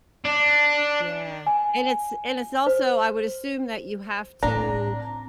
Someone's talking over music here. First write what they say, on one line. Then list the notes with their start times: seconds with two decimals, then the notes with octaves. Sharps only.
Yeah. And, it's and, it's also, I would assume, that you have to,
0.25 D4
1.47 G#5
2.67 C5
4.43 A2 C4 D4 A#5